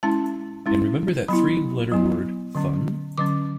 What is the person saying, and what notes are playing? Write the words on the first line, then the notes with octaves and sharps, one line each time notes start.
And remember that three-letter word, 'fun'?
G#3 C#4 E4 A5
G#3 C#4 E4
F#3 B3 E4 B5
F#3 B3 E4
D3 F#3 C#4
D3 F#3 C#4 D6